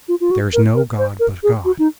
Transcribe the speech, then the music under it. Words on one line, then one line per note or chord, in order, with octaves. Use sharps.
There is no god but God.
F4
F4
F#4
A#4
A#4
C5
A#4
G#4
F#4
D#4